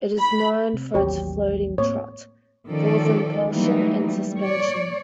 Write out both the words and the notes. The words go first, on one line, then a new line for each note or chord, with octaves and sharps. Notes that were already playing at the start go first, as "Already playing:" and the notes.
It is known for its "floating trot" - full of impulsion and suspension.
B5
C3
A1 D#2 F#3 G4 C#5
A2 A#3 C4 C#5
D#3 F3 C#4 A4 D5
E3 F#3 G3 A3 A#3 D#4
G3 A3
C#5 D5